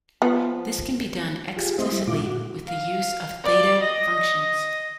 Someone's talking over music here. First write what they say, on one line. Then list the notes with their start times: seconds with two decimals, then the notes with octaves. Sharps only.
This can be done explicitly with the use of theta functions.
0.22 F3 B3
1.56 F4 G4 G#4
1.78 G#3 C4 E4 C5 D#5
1.92 G3 E4
2.07 A#2 G#3 E4 F4 D6
2.26 F#4
2.67 F5
3.44 D5
3.82 D#5